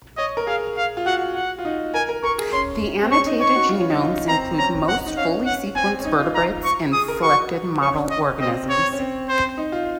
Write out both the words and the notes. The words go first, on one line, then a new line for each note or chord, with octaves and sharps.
The annotated genomes include most fully sequenced vertebrates and selected model organisms.
C#5 D#5
A#4
G#4 F5
F5
F4
F#4 F#5
F#5
F4
D#4
A#4 G#5
A#4
A#4 C#6
G#4
C#4 C6
C4
C#4 C#6
D#4
C#5 C#6
F#4
F4
C#4
D#4
F4
D#4
C4 A#5
C#4 A#5
F#5
D#4
C#4 F5
C#4 F#5
C4 G#5
C#4
D#4
F4
A#5
C#6
G#4 D#6
A#4
F#4 C#6
C#4 C#6
D#5
C4 D#5
C#5
C#4
C4
C5
D#4
F4